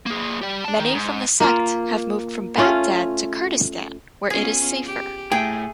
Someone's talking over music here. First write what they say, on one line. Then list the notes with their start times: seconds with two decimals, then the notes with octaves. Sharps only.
Many from the sect have moved from Baghdad to Kurdistan where it is safer.
0.06 A#3 G#4
0.41 G4 D5
0.64 D5 A5
0.80 D#3
0.95 G#2
1.40 A#3 F4
2.57 A3 C#4 F4
4.30 B3 C#4 F4 G#4
4.86 G4
5.32 A2 A3 G#4 G5